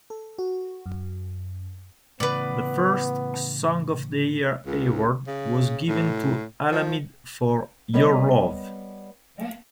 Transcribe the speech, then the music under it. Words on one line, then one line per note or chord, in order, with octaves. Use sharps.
The first "Song of the Year Award" was given to Alamid for "Your Love".
A4
F#4
F#2
A2 C#3 E3 B3 B4 D5
C#2
C#3
A2
F3
G3 B3 A#4 B4 C#5 D#5